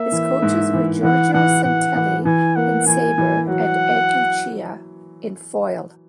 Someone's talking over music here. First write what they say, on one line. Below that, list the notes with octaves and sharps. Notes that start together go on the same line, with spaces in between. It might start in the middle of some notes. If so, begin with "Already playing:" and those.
His coaches were Giorgio Santelli in sabre, and Ed Lucia in foil.
Already playing: A#3 E5
E3
G#2
E3
E3 F#5
E3 F#5
E3 F#5
E3
E3 G#5
A#3 F#5
E3 G#5
E3
F#3 F#5